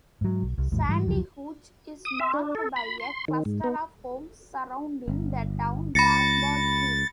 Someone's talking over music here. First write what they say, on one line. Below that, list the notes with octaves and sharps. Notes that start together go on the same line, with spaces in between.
Sandy Gulch is marked by a cluster of homes surrounding the town baseball field.
G#2 F#3
B1
C2
A1 D#2 G#2
G#2 E3 G3
F1 C#2 F3 F#3
D#6
E5
D4
A4
B5
C6
D#3
G#2
B3
G1
C#2 B5 A6 A#6 C#7